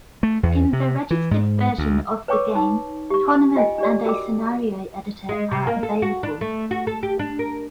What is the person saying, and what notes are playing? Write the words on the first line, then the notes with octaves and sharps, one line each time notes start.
In the registered version of the game tournaments and a scenario editor are available.
A3
E2
C3
E3
G#2
D2
B4 C#5 G5 C#6 D6 E6
D#4
G4 C#6
F4 D#5 G5 G#5
D4 G4 D5
F#4 A#4 G5 D6
G#3
C3
A#3
A4
F#4
D4
A3
F#4
A4
G4
D4
A#4